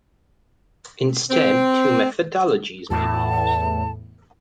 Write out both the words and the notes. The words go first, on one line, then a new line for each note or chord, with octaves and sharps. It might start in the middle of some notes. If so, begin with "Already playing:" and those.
Instead, two methodologies may be used.
C4
E2 A2 A5